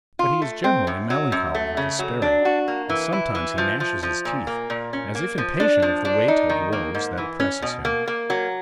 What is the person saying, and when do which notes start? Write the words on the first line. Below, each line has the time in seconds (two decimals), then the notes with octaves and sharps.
But he is generally melancholy and despairing, and sometimes he gnashes his teeth, as if impatient of the weight of woes that oppresses him.
0.19 F4
0.42 A3
0.64 C4
0.87 F#2
1.10 F#3
1.32 F#2
1.55 A3
1.77 C#3
1.99 F#3
2.22 D4
2.45 F#4
2.68 A#3
2.90 E3
3.13 E4
3.35 E3
3.58 F3
3.80 F3
4.03 F3
4.25 A#2
4.47 A#3
4.70 A#2
4.93 C#4
5.15 A#3
5.38 F3
5.60 D4
5.82 F3
6.05 D4
6.28 D#4
6.50 D#3
6.73 A#3
6.95 G#2
7.18 E3
7.40 C#4
7.62 B2
7.85 A#3
8.08 A#3
8.30 F#3